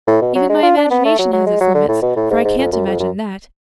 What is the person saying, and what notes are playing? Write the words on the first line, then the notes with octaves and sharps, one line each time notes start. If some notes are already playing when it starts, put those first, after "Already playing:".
Even my imagination has its limits, for I can't imagine THAT.
A2
B2
F#3
G#3
F4
D4
B3
A3
F#3
F#3
G#3
F#3
D3
A2
B2
A2
G#2
G#2
F2
F#2
F2
F#2